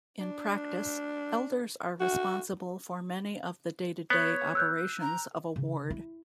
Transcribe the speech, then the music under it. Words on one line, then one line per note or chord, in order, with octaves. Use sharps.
In practice, elders are responsible for many of the day-to-day operations of a ward.
D4
F#4
B3 C#5
E6 F#6 G6
A#5
C#3
E4